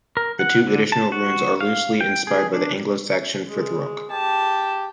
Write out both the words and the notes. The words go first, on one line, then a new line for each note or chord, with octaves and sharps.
The two additional runes are loosely inspired by the Anglo-Saxon Futhorc.
A#4
F#5
D3
A5
F#4
F5
G5
G#4
D4
G#3
G4 A5